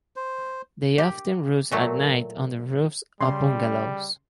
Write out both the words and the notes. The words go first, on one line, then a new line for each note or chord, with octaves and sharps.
They often roost at night on the roofs of bungalows.
C5
G4
A#2 F#3 A3
C#3 G3 C6